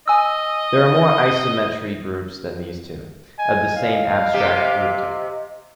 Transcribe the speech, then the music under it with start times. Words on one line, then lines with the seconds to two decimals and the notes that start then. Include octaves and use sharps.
There are more isometry groups than these two, of the same abstract group type.
0.08 D#5 G#5 E6
3.39 D#5 G#5
3.77 F5
4.33 C3 G4